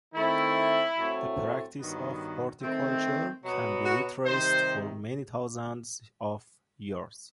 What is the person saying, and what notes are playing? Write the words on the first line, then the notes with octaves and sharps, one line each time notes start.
The practice of horticulture can be retraced for many thousands of years.
D#3 A3 C4 E4
A2 F#3 A3 C4
G2 D#3 F#3 B3
D#3 A3 C4
B2 F#3 B3
F#4
C3 D#3 G3 C5